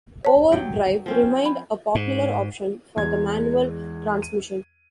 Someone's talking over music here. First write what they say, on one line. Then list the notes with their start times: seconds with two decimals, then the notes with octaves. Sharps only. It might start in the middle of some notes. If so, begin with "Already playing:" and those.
Overdrive remained a popular option for the manual transmission.
0.25 C#5 A5
0.52 G2 F#3 G5
1.06 F3 C4 C#4
1.46 B5
1.95 G#2
2.96 E2 G#3 G#6
4.22 D#7